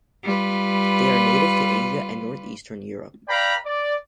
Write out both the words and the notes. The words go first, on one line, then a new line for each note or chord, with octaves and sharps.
They are native to Asia and northeastern Europe.
G3 F4 B4
B4 D5 F5 G5 A#5 B5
D5